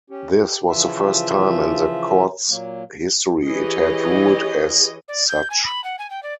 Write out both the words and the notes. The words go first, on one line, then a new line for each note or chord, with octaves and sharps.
This was the first time in the court's history it had ruled as such.
C#4 G4
G4
C#3 E3 F3 F4 E5
A#2 F#3 A#3
E3 G4 G#4 C#5 D#5
D5
G6
G#5
B5
F#5
G#5
G5
D5